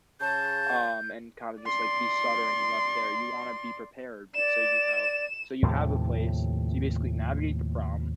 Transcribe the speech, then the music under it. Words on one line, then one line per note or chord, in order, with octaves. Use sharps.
um, and kinda just, like, be stuttering and left there, you wanna be prepared be so, you know so you have a place, so you basically navigate the problem
C#3 A5 G6
D5 C6
D5 E7
D#2 A2 C3 F3